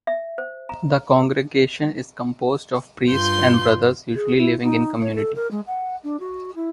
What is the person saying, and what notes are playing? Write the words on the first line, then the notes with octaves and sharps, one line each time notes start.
The congregation is composed of priests and brothers usually living in community.
E5
C5
A#5
G2 F4 C6 G6
G#4
E4
D#4
C#5
A4
A#4
G#3
F#5
D4
F#4
E4